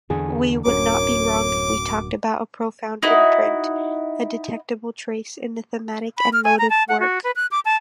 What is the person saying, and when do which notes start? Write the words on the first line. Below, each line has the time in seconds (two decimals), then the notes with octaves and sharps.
We would not be wrong if we talked about a profound imprint, a detectable trace in the thematic and motive work.
0.10 E2 D3 G#4
0.65 D1 F#2 A#4 C#5 D6
3.03 D#4 E4 F#4
6.18 B5
6.33 F6
6.44 G#5
6.58 A#5
6.70 A5
6.89 F#5
7.00 F#4
7.24 B4
7.36 F#6
7.51 D6
7.65 A5